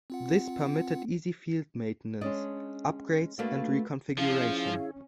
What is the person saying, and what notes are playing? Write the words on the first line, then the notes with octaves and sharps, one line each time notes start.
This permitted easy field maintenance, upgrades, and reconfiguration.
C4 F4 F#5
G#3 C#4 D4 D#5
A3 A#3 D4 F#4 B4
F3 C#4 E4 G#4 F5